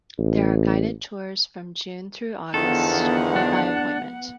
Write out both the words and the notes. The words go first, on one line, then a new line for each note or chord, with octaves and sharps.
There are guided tours from June through August, or by appointment.
A1
E2 D3 D#3 F3 B3 A4 F#5
D4